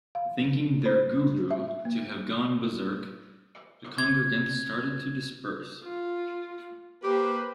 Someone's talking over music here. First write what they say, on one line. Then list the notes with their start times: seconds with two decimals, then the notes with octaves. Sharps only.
Thinking their Guru to have gone berserk, the congregants started to disperse.
0.15 F5
0.86 C5
1.51 E5
1.85 A#3
3.98 G#6
5.84 F4
7.03 A#3 G4 B4 C5